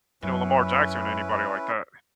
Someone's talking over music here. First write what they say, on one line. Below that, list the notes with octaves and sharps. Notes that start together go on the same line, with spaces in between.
you know, Lamar Jackson or anybody like that
F#2 C#4 E4 B4